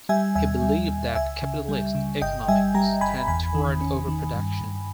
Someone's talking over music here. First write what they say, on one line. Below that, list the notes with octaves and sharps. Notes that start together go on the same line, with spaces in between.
He believed that capitalist economies tend toward overproduction.
G3 E5 G#5
D#2 E5 G#5
G3
D#2
C#2 E5 G#5
C#3
G3
C#3
G1 D#5 G5
G3 E5 G#5
G3 G5 A#5
G1 G#5 B5
E2 G#5 B5
D#3
C#4
D#3
G2
G2